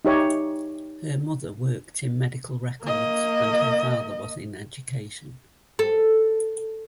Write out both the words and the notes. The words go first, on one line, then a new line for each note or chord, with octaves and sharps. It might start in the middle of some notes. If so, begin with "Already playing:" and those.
Her mother worked in medical records and her father was in education.
D#4 G4 C#5 E5
A#3 D#5
A4